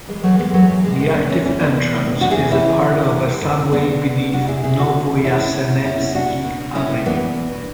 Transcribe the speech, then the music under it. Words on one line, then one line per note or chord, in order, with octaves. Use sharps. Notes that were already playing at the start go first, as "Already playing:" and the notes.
The active entrance is a part of a subway beneath Novoyasenevsky Avenue.
E3 G#3
E3 F#3 A3
A2 G#3 B3
E3 F#3 A3
A2 F#3
A2 G#3
A2 G#3 B3
E3 B3 D4
E3 A3 C#4
E3 A3 C#4
E3 B3 D4
E3
A2
A2
E3 D4 F#4
E4 G#4
A2
E3 C#4 E4
E3
A2
E3
A2
A2
A2
A2
B2 B3 D4
B2
B2
B2
B2 D4 F#4
B2 E4 G#4
B2 E4 G#4
B2 D4 F#4
A2
E3
A2 C#4 E4
A2
B2
B2
B2 C#4 E4
B2
B2 D4 F#4
B2
B2
B2
A2 C#4 E4
A2
E3 B3 D4
E3
B2
B2